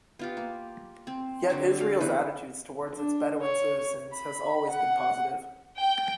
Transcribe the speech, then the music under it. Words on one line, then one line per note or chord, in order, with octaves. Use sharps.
Yet Israel's attitude towards its Bedouin citizens has always been positive.
B3 F4 G4
A#3
C4
D3 F#3 C5
F5
E3 B3 B4 C5
D4
C#5
B5
F#5
G5